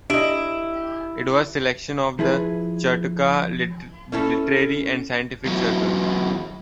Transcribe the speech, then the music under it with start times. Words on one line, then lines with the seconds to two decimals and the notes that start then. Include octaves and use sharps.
It was a selection of the Chautauqua Literary and Scientific Circle.
0.10 D4 E4 G4 D#5 D7
2.19 F3 E4 G#4 B4
4.12 C#4 E4 A4
5.45 E2 F#3